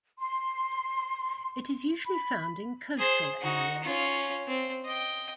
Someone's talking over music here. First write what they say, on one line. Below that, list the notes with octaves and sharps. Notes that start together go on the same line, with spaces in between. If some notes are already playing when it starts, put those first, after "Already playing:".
It is usually found in coastal areas.
C6
B5
G#4 C5
D#4 F#4
C#4 F4
C4
D#5 G5